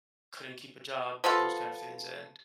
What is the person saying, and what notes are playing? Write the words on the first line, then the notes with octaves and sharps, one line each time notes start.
couldn't keep a job, those kind of things and
F3 B3 F4 A4